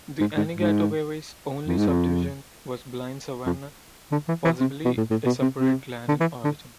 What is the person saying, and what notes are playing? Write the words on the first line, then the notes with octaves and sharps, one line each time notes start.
The Anigatogewi's only subdivision was Blind Savannah, possibly a separate clan in origin.
G#2
G#2
G#2
F2
G#2
F2
F2
D3
E3
E3
C3
B2
A2
A2
B2
C3
C3
D3
E3
D3